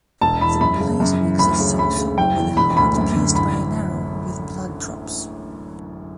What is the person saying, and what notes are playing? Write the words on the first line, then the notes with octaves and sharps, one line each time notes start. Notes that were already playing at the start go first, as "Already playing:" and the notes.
The blazon exists also with a heart pierced by an arrow, with blood drops.
E1 A5
E2 B5
F#2 B5
C#3
F#2
E3
D2 B5
C#3
D2 B5
C#3
F#1 G5
E2
E1 B5
D2 B5
F#2
D3
A1 B5